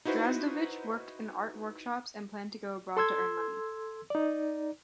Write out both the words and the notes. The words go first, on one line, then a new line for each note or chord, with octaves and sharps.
Drazdovich worked in art workshops and planned to go abroad to earn money.
D#4 E4 F#4 B4 C5
A4 C6 E6 G#6
D#4 D5